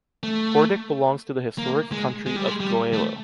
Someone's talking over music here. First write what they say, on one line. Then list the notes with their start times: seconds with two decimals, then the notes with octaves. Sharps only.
Pordic belongs to the historic country of Goëlo.
0.23 A3
1.58 A#3
1.92 G#3
2.26 G#3
2.36 G3
2.48 G#3
2.60 G3
2.93 A3